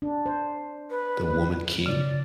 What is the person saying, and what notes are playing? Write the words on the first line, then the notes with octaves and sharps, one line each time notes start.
The Woman King?
D4
C5
B4
C#3 D5